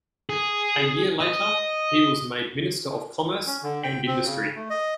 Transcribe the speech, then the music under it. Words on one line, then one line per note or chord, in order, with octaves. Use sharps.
A year later, he was made Minister of Commerce and Industry.
G#4
D#5
C#4
D3
G5
C4
C#3
A3
D#5